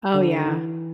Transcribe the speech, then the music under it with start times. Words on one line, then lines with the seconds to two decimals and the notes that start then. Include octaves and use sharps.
Oh, yeah.
0.14 D3
0.46 E3